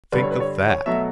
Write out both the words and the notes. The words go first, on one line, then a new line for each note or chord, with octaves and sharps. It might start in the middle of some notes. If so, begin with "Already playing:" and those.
Think of that!
G2 D3 G3 B4
C#5
B4
C#5
C#5
B2 F#3 A3 E5